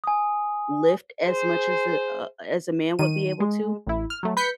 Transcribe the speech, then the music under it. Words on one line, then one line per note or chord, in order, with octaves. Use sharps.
lift as much as a a as a man would be able to,
G#5 D#6
G#4 C5
D#3 D#7
G#3
A1 E4
F6
F#3 A3
B4 G6 B6 C#7